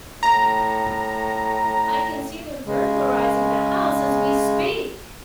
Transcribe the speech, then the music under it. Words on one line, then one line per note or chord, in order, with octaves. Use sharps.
I can see them burglarizing the house as we speak!.
A2 A#5
C#3 G#3